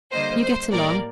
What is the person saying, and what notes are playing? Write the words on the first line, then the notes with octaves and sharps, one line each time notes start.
You get along.
D3 G3 A#3 C5 D#5
C5
A2 G3 A#3 A#4 D5